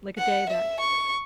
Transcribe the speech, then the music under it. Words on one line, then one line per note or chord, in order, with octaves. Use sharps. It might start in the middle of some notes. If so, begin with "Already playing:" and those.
like a day that,
F#5
E5
C#6